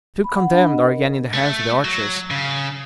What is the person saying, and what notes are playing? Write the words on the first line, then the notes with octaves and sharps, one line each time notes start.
The two condemned are again in the hands of the archers.
B5
F#5
D4
D#5
A#4
A3
F#3
C#3